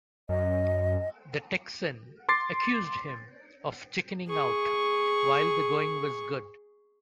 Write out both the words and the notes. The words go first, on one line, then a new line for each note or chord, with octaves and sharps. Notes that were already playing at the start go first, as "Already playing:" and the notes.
The Texan accused him of chickening out while the going was good.
F#2 D#5
C6 D6 A6 C7
G#4 C#6